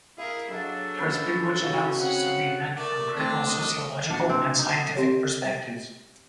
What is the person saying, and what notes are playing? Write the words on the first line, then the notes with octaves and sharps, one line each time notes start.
There has been much analysis of the event from critical sociological and scientific perspectives.
E4 G#4 A#4 F5
F#3 D4 G#4 A4 F5 F#5
C#4 B4
C#3 C#4 D#4 F#4 F5
C4 F#5
A3 A#4 D5
A3 C4 D4
D#5
D4 F#4
C4
D#4
C4 G4 C#5